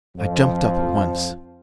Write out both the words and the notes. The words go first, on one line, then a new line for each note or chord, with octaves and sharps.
I jumped! up at once.
F2 F3